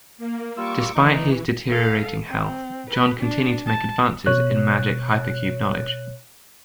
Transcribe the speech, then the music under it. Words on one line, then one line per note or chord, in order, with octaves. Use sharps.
Despite his deteriorating health, John continued to make advances in magic hypercube knowledge.
A#3
G3 F4 C#6 D6 E6
E3 D#4
A4 F5
C4
B4
D4
A5
B2 C#5 F#6